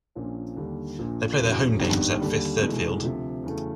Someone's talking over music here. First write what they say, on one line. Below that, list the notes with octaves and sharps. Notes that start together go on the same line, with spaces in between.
They play their home games at Fifth Third Field.
A#1 A#2 F3 A#3 C#4
D#2 D3 G3
A#1 A#2 F3
E1 E2 C#3 F#3
G#1 G2 D#3 G3 B3
D#2 D3 G3
F1 E2 B2 G#3
D2 C3 F3
E2 C#3 F#3 A3